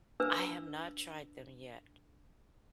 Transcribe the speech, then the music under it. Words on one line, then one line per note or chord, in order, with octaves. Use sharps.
I have not tried them yet.
D4 B4 E6